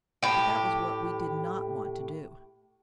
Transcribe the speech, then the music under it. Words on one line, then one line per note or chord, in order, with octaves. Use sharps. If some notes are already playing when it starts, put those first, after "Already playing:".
But that was what we did not want to do.
A2 G4